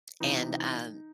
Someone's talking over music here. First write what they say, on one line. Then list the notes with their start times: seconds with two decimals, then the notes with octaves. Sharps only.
and, um,
0.20 C3 E3 D#4
0.43 D#4